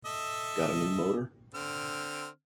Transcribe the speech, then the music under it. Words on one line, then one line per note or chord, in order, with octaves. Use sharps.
Gotta New Motor?
A4 D#5 E5
D3 C4 F6